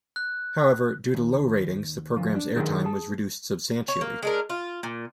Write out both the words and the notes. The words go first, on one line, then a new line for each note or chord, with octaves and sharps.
However, due to low ratings the program's airtime was reduced substantially.
F#6
D#2
D2 F3
D4
D#3 F#3 G#3 D4 G#4 A#4
G#4 A5
C#5
A#3
G#3 D4 A#4
F4
A#2